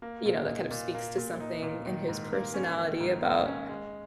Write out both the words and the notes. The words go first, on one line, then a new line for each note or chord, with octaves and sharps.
you know, that kind of speaks to something in his personality about
A#3
A#2
D#4
A#2
A#3
A#2
D#4
A#2
D#3
G#2
A#3
C#4
D#3
G#2
A#3
C#4
G#3